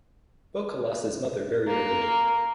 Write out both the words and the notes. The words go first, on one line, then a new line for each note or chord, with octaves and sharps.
Boka lost his mother very early.
A#3